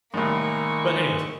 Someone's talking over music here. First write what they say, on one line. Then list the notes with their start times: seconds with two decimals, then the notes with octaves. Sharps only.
but anyways,
0.14 C2 A2 D#3 G#3 A#3 C#6